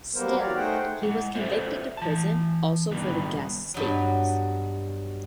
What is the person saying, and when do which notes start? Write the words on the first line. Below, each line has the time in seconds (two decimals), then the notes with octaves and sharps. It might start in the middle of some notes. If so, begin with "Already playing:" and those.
Still, he was convicted to prison also for the guest's statements.
0.15 F#3 G3 A#3 B3 A#4 C5
0.39 F#4 G4 A#4 C#5 D5 F5
0.57 A3 D#4 G#4 C5 F#5 G5
1.02 G#3 F#5
1.35 F4 A4 B4 C5 D5 E5
1.97 E3 A5
2.91 D#3 G3 B3 D4 B4
3.74 G2 B2 F#3